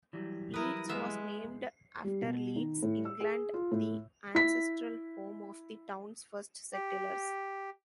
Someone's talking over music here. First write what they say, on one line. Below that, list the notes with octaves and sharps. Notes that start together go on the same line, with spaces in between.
Leeds was named after Leeds, England, the ancestral home of the town's first settlers.
E3 F#3 G3
E4 A#4 B4 D#6
G#3 B3 E5 F5
G3
B2
D#3
A2
E6
G#4
F4
A2
E4 B6
G4